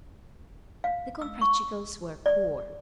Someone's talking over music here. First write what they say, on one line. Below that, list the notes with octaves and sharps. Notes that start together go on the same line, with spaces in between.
The Comprachicos were poor.
F5
E6
C#6
D5